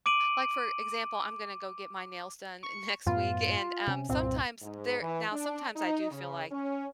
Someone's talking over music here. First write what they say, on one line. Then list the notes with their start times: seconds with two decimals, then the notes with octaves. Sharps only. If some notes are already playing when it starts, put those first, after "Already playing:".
Like, for example, I'm gonna go get my nails done next week and, um, sometimes there now sometimes I do feel like,
0.06 D6 D7 D#7 F#7
2.63 C#6
3.06 F#2 A2 B3 F4
3.87 C3 C#4
4.09 C2 G2 A#2 C4
4.62 G#2
5.01 E3
5.32 D4
5.76 D#4
6.11 C#3
6.52 C#4